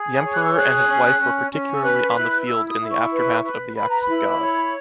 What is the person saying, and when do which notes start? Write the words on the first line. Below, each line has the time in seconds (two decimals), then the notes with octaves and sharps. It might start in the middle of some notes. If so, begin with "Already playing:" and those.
The emperor and his wife were particularly on the field in the aftermath of the acts of god.
Already playing: G#4
0.12 D#6
0.23 C#5
0.34 F#6
0.45 E6
0.54 G#4 F#6
0.87 C#4
1.18 C#4
1.51 C#4
1.76 E6
1.83 B4 F#6
2.15 E4 F#6
2.47 E4 E6
2.69 D#6
2.80 E4
2.90 C#6
3.12 B4
3.44 B4
3.76 B4 B5
3.89 A#5
4.02 B5
4.08 E4
4.40 C#5